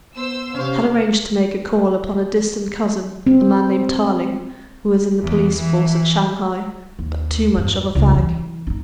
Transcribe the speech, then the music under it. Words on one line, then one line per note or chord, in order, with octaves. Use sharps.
Had arranged to make a call upon a distant cousin--a man named Tarling--who is in the police force at Shanghai, but too much of a fag.
B3 C5 E6
C3 C#4 C5 F5
C4
E2
E3
D#2
E2 G2
C#2
E3
D4 D#4